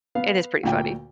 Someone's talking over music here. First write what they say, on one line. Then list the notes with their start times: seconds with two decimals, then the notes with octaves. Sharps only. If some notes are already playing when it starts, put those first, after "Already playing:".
It is pretty funny.
0.15 B3 F5
0.63 D2 A#2 G5